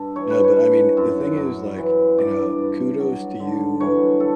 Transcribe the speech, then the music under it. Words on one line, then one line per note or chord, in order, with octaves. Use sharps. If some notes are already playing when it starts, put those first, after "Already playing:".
No, but, I mean, the thing is, like, you know, kudos to you,
Already playing: G2 A4
E3 C#5
B4
C#5
E3
F#2
F#2
E3
G2 D5
G2
F#3
D3
E3 C#5
A4